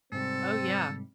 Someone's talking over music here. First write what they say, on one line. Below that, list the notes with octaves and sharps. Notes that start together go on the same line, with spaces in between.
Oh, yeah.
G#2 C3 G3 C4 A4